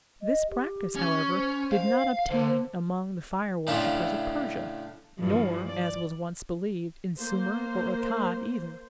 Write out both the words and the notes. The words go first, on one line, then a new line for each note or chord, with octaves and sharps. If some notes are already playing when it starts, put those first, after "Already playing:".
This practice, however, did not obtain among the fire worshippers of Persia, nor, as was once believed, in Sumer or Akkad either.
D#5
G4
C#4
C5
F5
D3 C5
A2 C#3 C#4 D4 E4 F4
G2 E3 F3
D5
A#3 C5